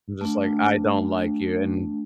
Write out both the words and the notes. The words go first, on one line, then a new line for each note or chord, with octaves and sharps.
I'm just like, "I don't like you, and"
A3 D4